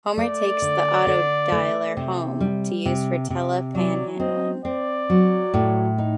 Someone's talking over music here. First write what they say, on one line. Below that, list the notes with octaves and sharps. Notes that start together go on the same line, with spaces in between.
Homer takes the autodialer home to use for tele-panhandling.
A3 D5
D3
D3
A3
C3
G3
C3
C3
F#3 D5
C4 D#5
C4 D5
F#3
A2
D#4